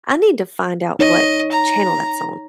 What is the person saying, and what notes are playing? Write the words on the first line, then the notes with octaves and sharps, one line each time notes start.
I need to find out what channel that's on.
D#4 C#5 D#5
A#5